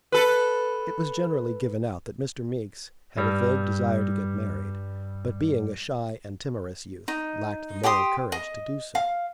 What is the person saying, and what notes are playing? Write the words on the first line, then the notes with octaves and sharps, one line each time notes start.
It was generally given out that Mr. Meeks had a vague desire to get married, but, being a shy and timorous youth, lacked the moral courage to do so.
A4 B4
G2 G3
D#4
G4 G5 C6 D#6
D#5
F5